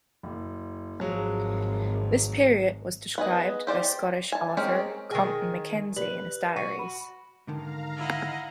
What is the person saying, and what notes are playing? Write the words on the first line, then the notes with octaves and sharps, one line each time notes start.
This period was described by Scottish author Compton Mackenzie in his diaries.
F#1
G#1 F3 F#3 G#3
B3 G#4 D#5
G4 C5 D5 G5
G#5 A5
G#3 C4 C#4 G4 A#4
D#3 G#4 G5 G#5 A#6
G4 B4 D5 F#7
F#4 D#7
B5
G#2 D3 D#3 F5 A#5
E4 D#5 F#5